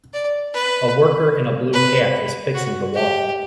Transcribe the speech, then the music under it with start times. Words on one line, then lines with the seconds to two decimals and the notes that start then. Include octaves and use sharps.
A worker in a blue hat is fixing the wall.
0.13 D5
0.54 B4
1.73 B4
2.54 F#4
2.94 G4